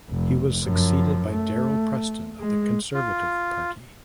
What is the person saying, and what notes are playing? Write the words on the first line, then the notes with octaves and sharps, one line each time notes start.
He was succeeded by Darryl Preston of the Conservative Party.
F1
F#2 F3
A3
G#3
F4